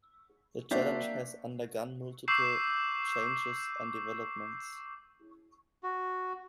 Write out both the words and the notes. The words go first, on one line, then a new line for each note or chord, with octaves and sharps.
The challenge has undergone multiple changes and developments.
A#3 C4 D4 F#4 E5 G6 C7
C#6 D6 E6 G6 C7 E7
F#4